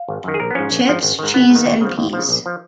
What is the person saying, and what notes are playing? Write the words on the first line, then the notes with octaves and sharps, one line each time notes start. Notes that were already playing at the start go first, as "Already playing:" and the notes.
Chips, cheese and peas.
Already playing: F5
G#1
F#2 D#3
G#4
A#1 A#4
B3
G#2 F3 C#4
A#1
G#2 F3
G#1
G#2 D#3
G#1 B3
G#2
D#3
D#2
C#3 F3
D#2
C#3 F3
A#1
F3